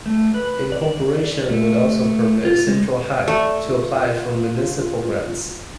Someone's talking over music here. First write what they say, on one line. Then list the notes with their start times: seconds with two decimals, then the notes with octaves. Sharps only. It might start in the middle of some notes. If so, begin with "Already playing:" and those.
Incorporation would also permit Central High to apply for municipal grants.
0.06 A3
0.34 B4
0.72 D5
1.49 A3
2.45 F4
2.67 G#3
3.28 A3 D5
3.67 F4